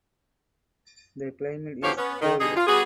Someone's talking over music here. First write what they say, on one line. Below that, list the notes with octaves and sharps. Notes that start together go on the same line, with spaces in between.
The climate is cold.
E2 B2 F3 G4 C#5 F5
B3 C#4
D#3
D3 G3 D#4 G#4
F4
G3 B3 F#4 G#4